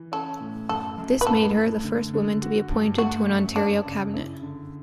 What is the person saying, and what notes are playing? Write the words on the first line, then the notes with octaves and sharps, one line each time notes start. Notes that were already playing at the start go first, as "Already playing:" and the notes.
This made her the first woman to be appointed to an Ontario cabinet.
Already playing: E3
C#4 A4
A2
F#2 A4
F#2
B4
A2 A4
A2
D3
D3
F#4
G2
A3 F#4
F#2
C#4 D4
C#3
E4
D3